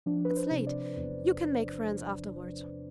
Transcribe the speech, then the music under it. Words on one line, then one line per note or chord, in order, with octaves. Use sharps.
"It's late. You can make friends afterward."
F3 D4
B4
C5
C3
D5
E2